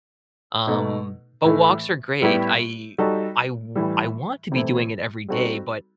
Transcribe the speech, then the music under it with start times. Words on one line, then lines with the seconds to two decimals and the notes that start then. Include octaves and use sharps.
Um, but walks are great. I I w I want to be doing it every day, but
0.67 B2 A3 D#4
1.44 A2 E3 A3
2.22 A2 G3 B3 E4 G4
2.98 G3 D#4 F#4 A4
3.75 A2 E3 G3
4.52 C3 E3 A3 C4 E4
5.28 G3 C4 D#4 F#4 A4